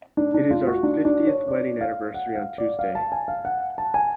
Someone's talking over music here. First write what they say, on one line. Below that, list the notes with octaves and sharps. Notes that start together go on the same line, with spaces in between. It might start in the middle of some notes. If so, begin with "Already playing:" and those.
It's our fiftieth wedding anniversary on Tuesday.
D4
D4
F4
F#4
D4
D4
C#5
D5
F5
F#5
F5
D5
F5
A5
G#5
F5
F#5
A5
G#5